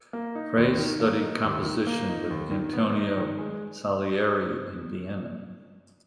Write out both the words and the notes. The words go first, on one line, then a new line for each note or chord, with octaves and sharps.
Frey studied composition with Antonio Salieri in Vienna.
A#3
D#4
D#2
D#3
A#3
D#4
D#2
D#3
A#3
D#4
D#2
D#3
B3
D#4
D#3
G#3